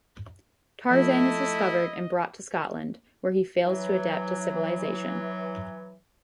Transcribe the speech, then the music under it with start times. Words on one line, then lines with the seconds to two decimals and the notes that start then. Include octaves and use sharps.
Tarzan is discovered and brought to Scotland, where he fails to adapt to civilization.
0.90 F3 A3 E4 F4 D#5
3.65 E3 F#3